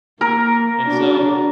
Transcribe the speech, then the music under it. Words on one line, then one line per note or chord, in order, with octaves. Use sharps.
And so
A#3 A#4
D4 F#4